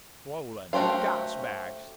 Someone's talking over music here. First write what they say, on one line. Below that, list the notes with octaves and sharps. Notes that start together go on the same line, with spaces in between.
Swollen gas-bags!
A3 F#4 G4 C5 F5